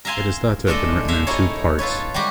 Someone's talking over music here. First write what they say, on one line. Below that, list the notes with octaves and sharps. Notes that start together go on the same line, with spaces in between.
It is thought to have been written in two parts.
A#4 E5 F5 G#5 C6
G#3 A3 D4 A4 D#5
G#3 E5 F5
A3 D#4 E4 A#4 C#5
F4 A4 B4 C#5
G3 G#3 F#4 G4